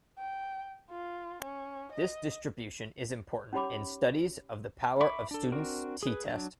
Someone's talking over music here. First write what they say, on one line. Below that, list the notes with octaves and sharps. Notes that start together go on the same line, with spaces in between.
This distribution is important in studies of the power of Student's "t"-test.
G5
F4
C#4
D#5
C#4 D#4 G4 C#5 B5 D6
E5 B5 C#6 D6
D4 A4
C4 D4 F#4 A#4
G#4 B4
F#3 D4